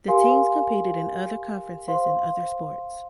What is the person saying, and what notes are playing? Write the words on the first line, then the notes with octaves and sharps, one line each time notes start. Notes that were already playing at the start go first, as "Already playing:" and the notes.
The teams competed in other conferences in other sports.
G4 A#4 F5 G#5 C6
C5 F5 C6